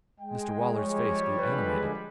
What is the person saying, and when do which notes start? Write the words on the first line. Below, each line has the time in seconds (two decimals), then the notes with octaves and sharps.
Mr Waller's face grew animated.
0.20 G#3 G5
0.78 F3 G3 C#5
1.39 D3 G#3 B4